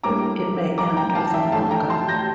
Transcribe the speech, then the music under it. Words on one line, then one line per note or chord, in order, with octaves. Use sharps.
It may end with a "longa".
A2 G3 A#3 D4 A#5 D6
A#5 D6
G5 A#5
A#5
F5 A5
E5 G5
A2 E3 A3 D4 F5 A5
G5 A#5
A5 C6
G6 A#6